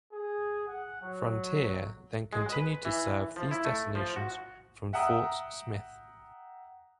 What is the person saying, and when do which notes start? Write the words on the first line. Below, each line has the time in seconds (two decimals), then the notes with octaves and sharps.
Frontier then continued to serve these destinations from Fort Smith.
0.12 G#4
0.68 F#5
1.02 F#3
2.33 G#3
2.52 B4
2.85 E3
3.36 F3
3.51 E4
3.65 A3
3.95 F3
4.16 F#4
4.93 E5 F#5 G5 A#5 D#6